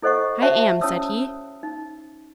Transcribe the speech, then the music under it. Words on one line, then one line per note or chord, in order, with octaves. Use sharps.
"I am," said he.
E4 A4 C5 D#5 F#5 C#6
F#4 C5 E5 F#5 A5
C#4 E4 C#5 A5 D#6 E6
D#4